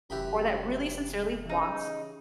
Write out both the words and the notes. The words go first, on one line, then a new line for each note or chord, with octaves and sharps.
or that really sincerely wants
F1 F#2 E3 G4 B5
C#3 D#4